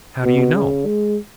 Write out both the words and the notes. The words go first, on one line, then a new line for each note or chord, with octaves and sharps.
"How do you know?"
B2
C#3
G#3